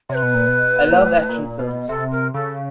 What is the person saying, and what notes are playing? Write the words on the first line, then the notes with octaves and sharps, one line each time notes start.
I love action films.
C3 C#5
B4
B2
A#2
B2
A#2
A2
A#2
B2
C3 A4
A#4
C#3 A4